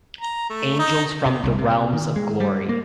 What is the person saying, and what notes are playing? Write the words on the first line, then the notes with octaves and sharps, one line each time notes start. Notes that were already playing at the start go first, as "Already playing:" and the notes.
Angels from the realms of glory.
A#5
A3
D#4
C3
C2
C3
D#3
G#3
G3
A#3